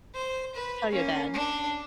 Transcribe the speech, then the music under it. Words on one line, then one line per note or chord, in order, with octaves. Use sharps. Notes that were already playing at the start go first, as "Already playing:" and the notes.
Tell your dad.
C5
B4
A#3 C#4
D4